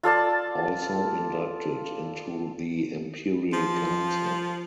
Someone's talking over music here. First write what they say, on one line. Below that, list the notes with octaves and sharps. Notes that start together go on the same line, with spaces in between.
Also inducted into the Imperial Council.
F4 A4 D5 A5
F3